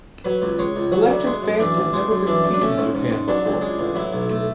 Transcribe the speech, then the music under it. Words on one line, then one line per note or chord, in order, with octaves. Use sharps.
Electric fans had never been seen in Japan before.
F#3 B4
C#2
G#3 C#5
C#2
F#3 F#4
D2
G#3
F#2
E3 D4
A1
G#3
F#2
E3 D4
F#2
D4
A3 C#4
G#2
G#2
G#2
F#3 D4
C#2
G#3
A1
F#3 E4
B1
A3